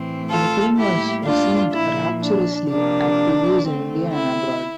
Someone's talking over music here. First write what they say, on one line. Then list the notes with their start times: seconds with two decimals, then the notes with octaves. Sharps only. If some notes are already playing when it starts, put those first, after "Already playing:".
The film was received rapturously at previews in India and abroad.
Already playing: A2 E3 A3 C4
0.29 F4 A4
0.77 A2 G3 A#3 E4 G4
1.24 D4 F4
1.72 A#2 F3 A#3 E4
2.20 D4
2.67 C3 F3 A#3 D4
3.63 D3 A3 C4
4.11 E4